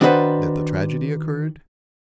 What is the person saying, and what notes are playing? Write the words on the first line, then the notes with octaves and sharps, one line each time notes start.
"That the tragedy occurred?"
D#3 D4 F#4 G4 B4 C5